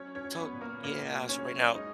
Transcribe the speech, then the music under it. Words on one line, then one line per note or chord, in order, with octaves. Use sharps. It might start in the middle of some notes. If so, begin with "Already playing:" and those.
So, yeah. So right now,
Already playing: F#3 C#4 C#5
C#4 C#5
F#3
B3 B4
A#2
A#3 A#4
A#2 A#3 A#4
F#3
C#4 C#5
F#3
G#3 D#4 D#5